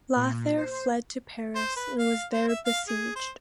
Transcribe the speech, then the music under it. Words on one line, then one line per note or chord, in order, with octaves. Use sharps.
Lothair fled to Paris and was there besieged.
A#2
C5
C5
B4
F5
C5
E5
F5
G#4
C5